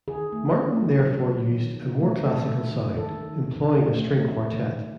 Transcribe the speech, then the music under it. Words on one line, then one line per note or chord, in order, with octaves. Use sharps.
Martin therefore used a more classical sound, employing a string quartet.
D#3 G#4
A3
D#3
F#3
F#3
F#3
D#3
F#3
A3
A3 A4
D#3
D#3
D#3 A4
D#3
D#3
D#3
A3
A3
D#3
D#3